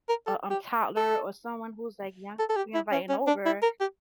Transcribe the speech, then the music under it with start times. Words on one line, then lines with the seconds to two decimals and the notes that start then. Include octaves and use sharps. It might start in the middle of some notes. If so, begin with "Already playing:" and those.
a, um, toddler or someone who's like younger you're inviting over,
0.09 A#4
0.27 A4
0.50 G4
0.97 A4
2.39 A4
2.49 A4
2.56 G4
2.74 E4
2.92 C#4
3.09 C#4
3.27 D4
3.46 E4
3.62 A#4
3.80 G4